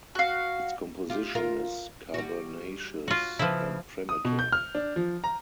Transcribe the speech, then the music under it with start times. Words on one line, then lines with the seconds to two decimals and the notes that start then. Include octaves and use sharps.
Its composition is carbonaceous and primitive.
0.15 F#4 F5
1.10 F4 G4
1.35 F4 A#4
2.14 G3 F#4
3.08 F4 F#4
3.39 C#3 F3 B3 E4
4.09 D#6
4.25 B2
4.39 G6
4.52 F6
4.75 D4
4.96 F3
5.24 A#5